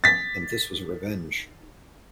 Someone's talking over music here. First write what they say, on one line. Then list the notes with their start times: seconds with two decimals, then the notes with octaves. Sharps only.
And this was revenge.
0.04 A6 B6